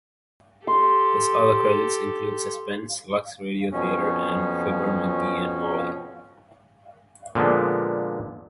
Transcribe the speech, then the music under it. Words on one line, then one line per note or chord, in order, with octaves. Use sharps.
His other credits include "Suspense", "Lux Radio Theater", and "Fibber McGee and Molly".
G4 A4 C6
F2 B2 C#4
A#2 D3 F3 G#3 B3